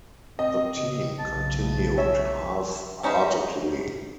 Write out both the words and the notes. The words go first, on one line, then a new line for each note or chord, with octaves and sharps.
The team continued half-heartedly.
C4 D#5
C#3
B1 C#3 A5
C#5 E5
G3 C#4 D#4 B4 C5